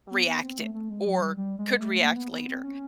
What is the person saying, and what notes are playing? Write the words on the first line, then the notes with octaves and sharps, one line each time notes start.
"reacted, or could react later.
B3
B3
C4
A3
A3
G#3
F#3
G3
G3
G#3
A3
A#3
B3
B3
C4
C#4